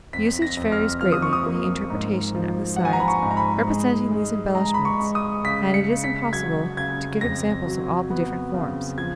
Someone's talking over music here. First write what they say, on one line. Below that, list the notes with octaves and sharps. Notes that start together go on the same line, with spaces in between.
Usage varies greatly in the interpretation of the signs representing these embellishments and it is impossible to give examples of all the different forms.
F2 B6
A#6
F2
F6
F3 F6
D#6
C#6
D#6
A#3
G#2
F3
F3 F#5
G#5
A#5
B5
C#6
G#2
A#5
B5
G#3
G#3
G#3 A#5
B5
C#6
G#3
D#6
C#3 B6
C#7
C#3
B6
F#3 G#6
C#3 G#6
F2 A#6
F#3
B3
C#3
F3 G#6